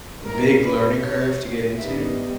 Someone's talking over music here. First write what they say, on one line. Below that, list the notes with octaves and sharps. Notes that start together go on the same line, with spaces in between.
a big learning curve to get into
A#2 G3 C#4 E4 A#4
B4
C#5
G#2 G3 B3 D#4 E5